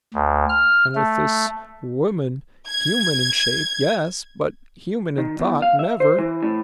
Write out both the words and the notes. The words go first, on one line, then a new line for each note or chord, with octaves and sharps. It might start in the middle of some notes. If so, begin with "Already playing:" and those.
And with this--woman--human in shape, yes, but human in thought--never.
D2
F6
A3
G#6
D#3
E2
F5
E5
C5
E3
A2